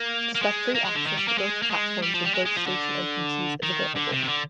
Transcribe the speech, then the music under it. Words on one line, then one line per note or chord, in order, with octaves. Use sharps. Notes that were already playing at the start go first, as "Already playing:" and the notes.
Step free access to both platforms and both station entrances is available.
Already playing: A#3
A#3
G#3
A#3
G#3
D3
D#3
G3
A#3
G#3
A#3
G#3
G3
F3
G3
G#3
G#3
F3
D3
D#3
D3
C3
D#3
D3